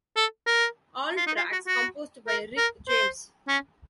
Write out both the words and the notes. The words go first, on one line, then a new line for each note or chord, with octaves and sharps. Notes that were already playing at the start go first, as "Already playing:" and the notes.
All tracks composed by Rick James.
A4
A#4
F4
D#4
F4
F#4
F#4
A#4
A#4
C5
C#4